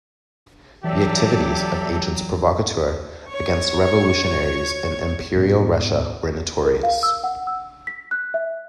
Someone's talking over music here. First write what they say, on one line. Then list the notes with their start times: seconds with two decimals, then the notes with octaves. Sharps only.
The activities of agents provocateur against revolutionaries in Imperial Russia were notorious.
0.84 E3 F#3 G4 A4 D5 E5
3.29 C#5 C#6
5.36 G#2 B2
6.65 A#4
6.83 F5
7.03 E6
7.24 F#5
7.47 E6
7.87 B6
8.11 F#6
8.34 E5